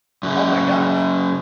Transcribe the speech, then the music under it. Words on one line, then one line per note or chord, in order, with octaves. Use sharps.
Oh my gosh.
F#2 C#3